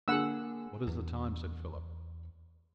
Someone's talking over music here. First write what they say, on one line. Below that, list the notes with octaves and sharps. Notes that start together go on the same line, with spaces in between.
"What is the time?" said Philip.
D3 A#3 G#4 F#5 E6
E2